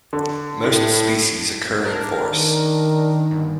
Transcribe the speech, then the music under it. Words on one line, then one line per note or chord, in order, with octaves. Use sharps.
Most species occur in forests.
D3
A2
D4 A#4
D#3
G1